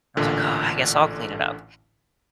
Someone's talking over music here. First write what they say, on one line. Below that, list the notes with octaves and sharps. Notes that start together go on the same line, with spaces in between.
I was like, "Oh, I guess I'll clean it up."
A1 A#2 D3